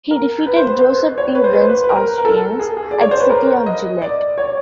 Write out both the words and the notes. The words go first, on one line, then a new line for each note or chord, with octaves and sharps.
He defeated Joseph De Vins' Austrians at city of Gilette.
A#4
B4
C5
B4
C5
C#5
B4
C5
B4
C5
B4
B4
A#4
A#4
A4
G#4
G#4
D5
C#5
C5
B4
A#4
D#5
D5
C#5